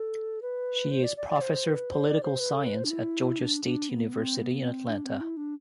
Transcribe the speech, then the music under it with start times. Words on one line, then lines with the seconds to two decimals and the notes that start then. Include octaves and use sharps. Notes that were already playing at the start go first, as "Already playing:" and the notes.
She is Professor of Political Science at Georgia State University in Atlanta.
Already playing: A4
0.42 B4
0.91 C5
1.04 D5
1.17 D5
1.29 D5
1.41 C5
1.66 B4
1.91 C5
2.07 D5
2.23 C5
2.40 B4
2.53 A4
2.64 B4
2.77 C5
2.84 D4
2.90 E4
3.39 D4
3.64 D4
3.89 B3
4.13 C4
4.38 B3
4.63 C4
4.88 D4
5.04 C4
5.21 E4
5.37 D4